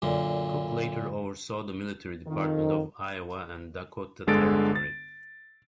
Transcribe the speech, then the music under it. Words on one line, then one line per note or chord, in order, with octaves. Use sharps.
Cook later oversaw the military Department of Iowa and Dakota Territory.
F#2 A#2 D3
F2 D#3
G1 D3 G#3 A4 A6 D7
A6